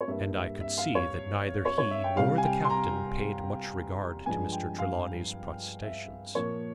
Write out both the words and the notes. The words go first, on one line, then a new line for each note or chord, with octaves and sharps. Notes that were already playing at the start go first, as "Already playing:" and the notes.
And I could see that neither he nor the captain paid much regard to Mr. Trelawney's protestations.
C#5
G2 G3 A#3 E5
E5
E5
F5
C#5
C#5
C#5
E5
G5
C2 C3 G3 F5
G#5
G5
C6
A#5
G2 F3 G#3 G#5
G5
F5
E5
A#2 F3 A#3 C#5